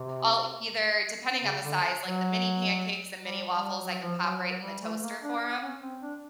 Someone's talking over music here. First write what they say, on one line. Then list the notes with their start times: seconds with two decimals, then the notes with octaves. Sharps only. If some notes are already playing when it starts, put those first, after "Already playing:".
I'll either depending on the size, like, the mini pancakes and mini waffles, I can pop right in the toaster for 'em,
Already playing: C3
1.43 C#3
1.64 D3
2.03 F#3
3.22 G3
3.52 G3
3.83 F#3
4.02 F3
4.22 F#3
4.42 F#3
4.61 G3
4.82 A3
5.02 A#3
5.22 D4
5.62 C#4
5.81 C4
6.01 D4